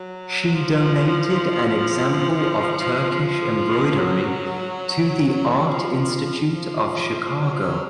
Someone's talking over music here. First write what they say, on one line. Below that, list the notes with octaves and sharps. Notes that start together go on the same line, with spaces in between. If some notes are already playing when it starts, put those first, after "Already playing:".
She donated an example of Turkish embroidery to the Art Institute of Chicago.
Already playing: F#3
F3
F3
F#3
F3
F3
F#3
F3
F#3